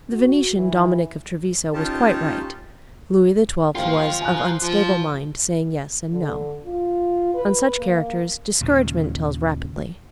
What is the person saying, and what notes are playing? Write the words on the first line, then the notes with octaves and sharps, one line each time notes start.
The Venetian, Dominic of Treviso, was quite right; Louis XII. was "of unstable mind, saying yes and no." On such characters discouragement tells rapidly.
F#4
E3
C#4 D#4 F4 G4 A5
D#2 F4 C5 F5 G5
G#5 A#5 F#6
F3
D3
F4
B4
A#3
D#2 A#2 C#3